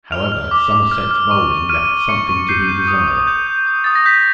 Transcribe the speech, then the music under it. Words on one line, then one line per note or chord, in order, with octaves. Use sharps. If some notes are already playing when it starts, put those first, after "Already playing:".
However, Somerset's bowling left something to be desired.
F6 F7
F6
D6
D6
F6
F6
C#6
C#6
F6 D#7
F6
C#6 C#7
C#6
G6 C7
G6
D#6
D#6
G6
G6
D#6
D#6 A6
A#6
G6 B6